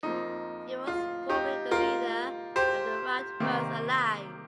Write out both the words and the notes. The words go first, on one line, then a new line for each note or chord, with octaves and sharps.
He was formerly the leader of the Wildrose Alliance.
F2 F3 A#3 D#4
F4
D#4 G4
F4 A#4
G4 C5
C3 D#3 A#3